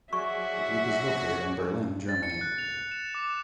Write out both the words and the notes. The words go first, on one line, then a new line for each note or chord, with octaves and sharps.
The group is located in Berlin, Germany.
F#3 F#4 G#4 D5 E5 C#6
A6
C#7
F#6
F7
E7
D6